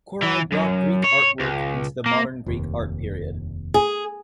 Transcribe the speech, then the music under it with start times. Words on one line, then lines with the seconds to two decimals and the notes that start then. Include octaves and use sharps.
Korai brought Greek artwork into the Modern Greek art period.
0.22 E3
0.52 F#2
1.04 C#5
1.40 C#2
2.06 A#3
2.46 F1 D#2
3.74 G#4